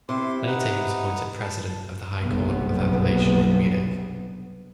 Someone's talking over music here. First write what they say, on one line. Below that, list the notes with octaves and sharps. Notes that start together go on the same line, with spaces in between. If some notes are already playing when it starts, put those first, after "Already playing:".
Later he was appointed president of the High Court of Appellation in Munich.
C3 E4 C6 D6
D#4 B4 F#5
A5
F#1 B1 G2 C3 B3